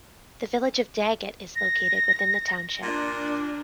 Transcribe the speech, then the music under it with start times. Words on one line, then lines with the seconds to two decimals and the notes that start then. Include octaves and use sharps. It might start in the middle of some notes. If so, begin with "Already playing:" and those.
The village of Daggett is located within the township.
1.56 A#6
2.82 A#2 D4